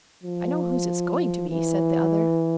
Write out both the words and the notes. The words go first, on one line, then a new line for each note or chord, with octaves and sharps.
"I know whose it's going to be," said the other.
F3
E3